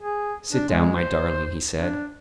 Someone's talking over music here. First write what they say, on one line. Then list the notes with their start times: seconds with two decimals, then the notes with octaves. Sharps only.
"Sit down, my darling," he said.
0.01 G#4
0.53 D4
0.69 G#3
0.96 C5
1.79 D4